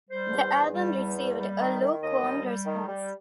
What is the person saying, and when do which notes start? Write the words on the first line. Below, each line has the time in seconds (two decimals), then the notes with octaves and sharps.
The album received a lukewarm response.
0.10 G3 C5
0.32 E2
0.53 E2
0.74 G3
0.96 E2
1.16 G3
1.38 G3
1.60 D#3
1.81 D#3
2.01 D#2 D#5
2.23 G3
2.44 G3
2.65 D#3
2.87 G3